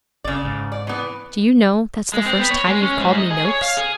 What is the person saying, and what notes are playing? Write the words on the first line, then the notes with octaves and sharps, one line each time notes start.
'Do you know, that's the first time you've called me "Noakes"?'
G1 C#3 D5
G#2
D5
E3 B3
G#3
C4
B3
C#5
G#3
C#4
G#2
D#5
G#4
C#5
F5
G#4